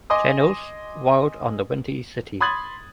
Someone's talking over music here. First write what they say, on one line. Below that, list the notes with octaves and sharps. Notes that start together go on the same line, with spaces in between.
Channel's "Wild on the Windy City".
D#5 G#5 C6 D6 D#6
B5 C6 D#6 G#6 A6 F#7